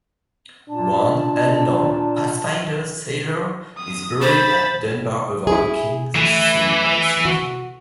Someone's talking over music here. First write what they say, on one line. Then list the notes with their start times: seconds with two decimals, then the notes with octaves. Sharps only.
One unknown "Pathfinder" sailor is buried at Dunbar overlooking the scene of the sinking.
0.69 A#2 D4 A5
3.78 D#6
4.21 C5 B5 A6
5.47 E4 G#4
6.15 E3 A3
7.25 F#4